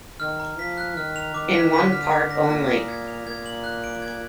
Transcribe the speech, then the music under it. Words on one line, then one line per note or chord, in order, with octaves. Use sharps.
In one part only.
D#3 F6
A#5
F3 B6
F#6
D#3 F6
F7
D#3 D6
B6
D3 B6
F6
D6
A#6
A#2 A#6
D#6
G#6
F7
A#2 G#6
F#7
F#6
D7
G#6